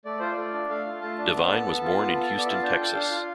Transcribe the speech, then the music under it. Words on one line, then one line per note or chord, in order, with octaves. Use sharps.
Devine was born in Houston, Texas.
A3 D5
F4 C5
D5
A3
D4
A3 F5
F4
A3 A5
D4
B3
A4
B3
F4
B3
A4
B3
D5
F4 E5
F5
D4 G5
A4
D4 F5
F4